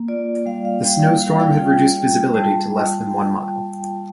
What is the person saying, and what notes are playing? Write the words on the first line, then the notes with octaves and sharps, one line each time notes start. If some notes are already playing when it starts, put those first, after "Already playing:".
The snowstorm had reduced visibility to less than one mile.
Already playing: A#3
F4 D5
G3 F5
F5
G3 G5
G5
G3 F5
G5
F4 G5
F4
G3 A5
G3